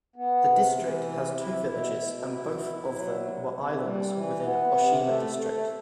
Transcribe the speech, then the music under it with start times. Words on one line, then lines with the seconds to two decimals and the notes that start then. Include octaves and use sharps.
The district has two villages and both of them were islands within Oshima District.
0.16 B3
0.47 C3
0.77 E3
1.07 C3
1.38 E4
1.69 B2
1.99 B2
2.30 E4
2.61 E4
2.92 F#3
3.22 C3
3.53 C3
3.83 G3
4.14 E3
4.44 B3
4.75 C3
5.06 A3
5.35 A3